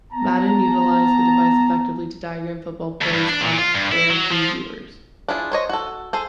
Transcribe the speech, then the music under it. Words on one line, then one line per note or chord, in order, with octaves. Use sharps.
Madden utilized the device effectively to diagram football plays on-air to viewers.
B3 A5 A#5
D2
G2
D4
A#2
F4
G2
E4
F#3
F3
D4 E4 F4 G#4
C5 C#5 D#5
F#4 A4
G#4 A4 C5